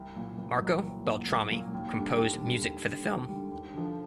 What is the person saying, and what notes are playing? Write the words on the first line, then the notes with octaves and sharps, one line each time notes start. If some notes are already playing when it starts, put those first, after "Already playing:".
Marco Beltrami composed music for the film.
Already playing: C2
A#2 F#3 A#3
C2
A#2 F#3 A#3
C2
A#2 F#3 A#3
C2
A#2 F#3 A#3
D#2
D3 G3
D#2
D3 G3
D#2
D3 G3
D#2
D3 G3
D#2
D3 F3